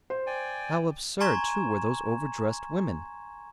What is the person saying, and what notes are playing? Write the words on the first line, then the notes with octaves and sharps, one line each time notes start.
How absurd, too, were those overdressed women!
C5
D5 G5 G#5
G#5 A#5 C6 C#6 G#6 E7